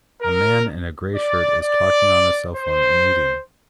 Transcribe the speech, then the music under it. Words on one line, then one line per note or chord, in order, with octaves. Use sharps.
A man in a gray shirt is talking on a cellphone and eating.
A#4
D5
D5
C5